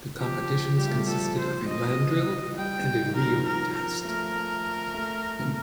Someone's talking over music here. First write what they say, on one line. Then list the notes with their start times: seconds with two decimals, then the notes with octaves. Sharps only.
The competitions consisted of a land drill and 'reel test'.
0.19 F3 G4
0.78 G3 G4
0.87 A3
0.95 G3
1.08 F3 A4
1.38 C5
1.68 D#5
2.57 G3 G5
3.05 D#3
3.16 F3 A#4
3.46 D#3 A#4
3.75 F3 A#4
4.05 A3
4.36 A3
4.94 A3